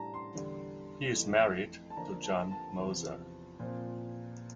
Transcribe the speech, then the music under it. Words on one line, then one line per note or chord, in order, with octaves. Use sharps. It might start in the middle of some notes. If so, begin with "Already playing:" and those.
He is married to Jan Moser.
Already playing: A2 G3 D4 A5 A#5
C6
E2 D3 G3
F2 E3 A3
A5
D3 F3 A#3 D4 A#5
A5
A5
E2 C3 F3
A#2 F3 C4